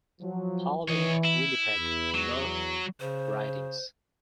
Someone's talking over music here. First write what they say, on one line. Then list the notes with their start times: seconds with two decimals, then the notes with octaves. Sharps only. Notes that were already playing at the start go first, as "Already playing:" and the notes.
Paul and Winnipeg North ridings.
0.21 F3 F#3
0.88 E3 C#5 D#5
1.24 E4
1.77 E2
2.15 F#3
3.00 C#3 C5